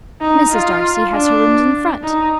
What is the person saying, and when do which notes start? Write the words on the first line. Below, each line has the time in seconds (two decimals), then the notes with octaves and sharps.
Mrs. Darcy has her rooms in front.
0.21 D#4
0.51 F4
1.12 D4
2.04 D#4